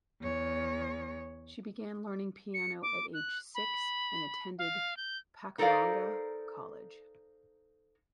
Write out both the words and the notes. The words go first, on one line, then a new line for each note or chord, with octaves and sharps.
She began learning piano at age six and attended Pakuranga College.
E2 C#5
C#7
D6
F#6
B5
F5
G6
D#4 A4 A#4 C5 D5 F5